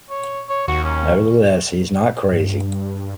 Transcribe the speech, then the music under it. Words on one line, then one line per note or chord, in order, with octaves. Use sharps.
Nevertheless, he is not crazy.
C#5
C#5
D#2 F#4
C#4
G2